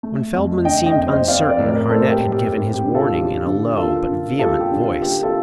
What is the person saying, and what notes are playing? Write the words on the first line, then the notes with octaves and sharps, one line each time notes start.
When Feldman seemed uncertain, Harnett had given his warning in a low but vehement voice.
A3
F2
D3 D#5 G5
D#5 G5
F2
C5 D#5
C4 D5 F5
A#4 D5
A2
A#4 D5
A3 A4 C5
G4 A#4
A2
G4
C4
G4
D3
F4 A4
G3
D3
A#3 F4 A4
D3
G3 F4 A4
G4
D3
F4
A#3 G4
F4 A4